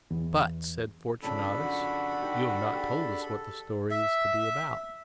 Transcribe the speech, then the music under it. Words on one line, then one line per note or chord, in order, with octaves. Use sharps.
"But," said Fortunatus, "you have not told us what the story is to be about."
E2
F2 C#3 D4 A4 A5 B5
F#4
D#4 G4
G4 G#4
A4
E5